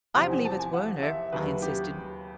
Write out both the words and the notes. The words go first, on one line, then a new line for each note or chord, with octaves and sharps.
"I believe it's Werner," I insisted.
E2 C3 F3 G5
G#5
A5
G#5
F#5
E5
D#2 C#3 F#3 B4
G4